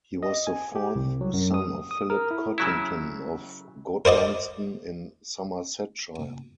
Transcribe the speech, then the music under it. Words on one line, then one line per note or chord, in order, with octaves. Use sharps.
He was the fourth son of Philip Cottington of Godmanston in Somersetshire.
D#5
G#5
G4
C2
F#3
F#2
D#6
D#6
A#4
E4
C#3 F#3 E4
A#4 C5 D5 D#5